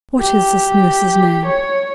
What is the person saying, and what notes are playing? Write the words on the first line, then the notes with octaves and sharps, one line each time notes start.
"What is this nurse's name?"
G4
C#5